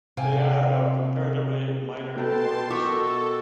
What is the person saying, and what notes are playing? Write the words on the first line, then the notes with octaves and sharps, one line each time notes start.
They are of comparatively minor importance.
C3 F5 G5 G#5
B2 A4 B4 G5 A5 C6
B2 A4 A#4 E5 C#6 D6